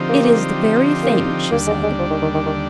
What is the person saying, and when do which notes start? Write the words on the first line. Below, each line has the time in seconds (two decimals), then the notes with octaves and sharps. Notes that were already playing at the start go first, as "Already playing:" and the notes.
"It is the very thing," she said.
Already playing: D3 F3 C4 D#4 G4
0.09 A#3
1.03 A#3
1.51 D#2 D3 G3 A#3 D4
1.67 G#3
1.83 G#3
1.99 F3
2.10 D#3
2.22 D#3
2.34 D#3
2.46 D#3